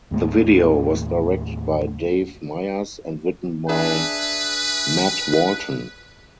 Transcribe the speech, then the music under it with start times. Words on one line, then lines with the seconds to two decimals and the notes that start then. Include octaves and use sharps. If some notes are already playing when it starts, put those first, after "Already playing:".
The video was directed by Dave Meyers and written by Matt Walton.
0.11 D#2 A2 G#3 A#3
3.69 D4 G#4 B4 E5